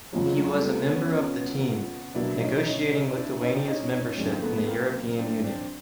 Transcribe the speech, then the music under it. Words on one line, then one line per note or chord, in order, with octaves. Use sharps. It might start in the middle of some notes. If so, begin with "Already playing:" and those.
He was a member of the team, negotiating Lithuania's membership in the European Union.
F2 C#3 F3 F#3 G#3
F#3 G#3
F#3 G#3
G3 A3
A3 B3
B3 C#4
B2 F#3 A#3 D4 E4
C#4 D#4
E4
C#4 D#4
C#4 D#4
D4 E4
C#4 D#4
C4 D4
C#4 D#4
C#4 D#4
F#2 D#3 G#3 C4 D4
A#3 C4
A3 B3
A3 B3
A#3 C4
C4 D4
C4 D4